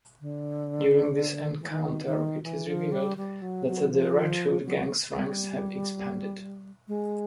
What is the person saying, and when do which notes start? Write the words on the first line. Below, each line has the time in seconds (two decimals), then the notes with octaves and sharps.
During this encounter, it is revealed that the Red Hood Gang's ranks have expanded.
0.21 D3
1.61 E3
1.69 D#3
2.06 D#3
2.44 E3
2.67 F3
2.92 G3
3.17 G3
3.42 F#3
3.67 F#3
3.91 F3
4.66 F#3
5.15 G3
6.88 G#3